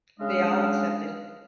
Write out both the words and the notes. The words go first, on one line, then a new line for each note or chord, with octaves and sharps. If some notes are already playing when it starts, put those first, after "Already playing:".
They all accepted.
C#3 G#3 D4 D#5 F5